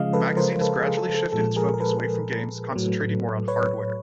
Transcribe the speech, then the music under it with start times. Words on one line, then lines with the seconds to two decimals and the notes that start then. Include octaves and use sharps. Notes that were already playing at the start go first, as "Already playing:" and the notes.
The magazine has gradually shifted its focus away from games, concentrating more on hardware.
Already playing: C#3 F3 G#3 D#5 F5
0.13 A4 B4
0.37 A#4 C5
0.61 A4 B4
0.79 G#4
0.97 A4
1.14 A4
1.32 A#2 F3 G#3 A4
1.56 G#4 A#4
1.74 A#4
1.80 A4 B4
2.75 A2 F#3
3.48 B4 C#5